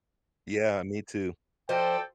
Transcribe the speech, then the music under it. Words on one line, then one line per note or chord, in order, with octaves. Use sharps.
Yeah, me too.
F3 A4 C5 D5 D#5 G5